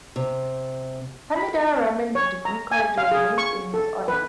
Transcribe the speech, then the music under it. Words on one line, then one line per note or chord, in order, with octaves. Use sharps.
Hamidur Rahman Degree College was named in his honour.
C3
B5
C#5
A#5
G#5
F5
G#4
C#6
A4
B4